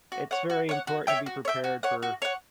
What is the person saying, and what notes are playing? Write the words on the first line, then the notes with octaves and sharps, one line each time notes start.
it's very important to be prepared for,
F#4
C#5 F#5
F#4
C#5 F#5
F#4
C#5 E5 G5
F#4
C#5
E5 G5
F#4
C#5 F#5
F#4
C#5 F#5